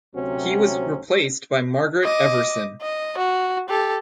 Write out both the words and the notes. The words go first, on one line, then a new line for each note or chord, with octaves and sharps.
He was replaced by Margaret Everson.
D2 C3 F#3 C4 C#4 F#4
D#5 D6
D#5
F#4
G4 A4